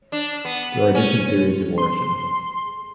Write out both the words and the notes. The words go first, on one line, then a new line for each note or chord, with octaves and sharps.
There are different theories of origin.
D4
B3
C#4
C6